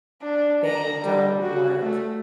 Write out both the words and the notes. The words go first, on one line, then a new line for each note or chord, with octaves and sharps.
they don't want
D4
A#5
G3
F#4
A3